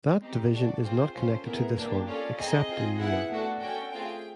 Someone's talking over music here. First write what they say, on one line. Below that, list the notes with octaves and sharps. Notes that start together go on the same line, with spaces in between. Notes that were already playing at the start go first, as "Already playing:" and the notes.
That Division is not connected to this one, except in name.
C4 D#4 G4
D4 F#4 A4 D5
C4 F4 G#4 C5
C#4 F4 A4 C5
B3 E4 G#4 A#4
A#3 D4 G4
C#4 F4 A4 D5
C4 D#4 G#4 D#5
C4 F4 G#4
B3 E4 G#4 F#5
A3 D4 F#4 A4
C#4 F#4 A4 G5
A3 C4 F4 G#4 G5